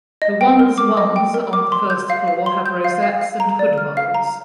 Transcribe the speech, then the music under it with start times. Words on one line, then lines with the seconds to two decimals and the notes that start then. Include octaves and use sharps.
The ones ones on the first floor have rosettes and hood moulds.
0.22 D#5
0.41 G5
0.59 A#4
0.78 D6
0.97 D#5
1.16 G5
1.34 A#4
1.53 D6
1.72 C6
1.90 G6
2.10 F5
2.28 F5
2.46 C6
2.66 G6
2.84 F5
3.03 F5
3.21 F5
3.40 A#5
3.59 D5
3.78 F6
3.97 F5
4.15 A#5